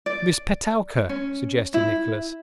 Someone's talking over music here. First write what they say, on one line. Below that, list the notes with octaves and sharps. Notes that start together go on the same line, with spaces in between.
'Miss Petowker,' suggested Nicholas.
D5
C#4
E4